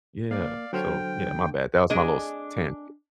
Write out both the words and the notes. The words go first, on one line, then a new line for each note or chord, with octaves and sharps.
Yeah. So, yeah, my bad. That was my little s tangent.
A#3 D5 F5
D3 F#3 A4 C5 C#5 G5 F6
D4 G#4 D#5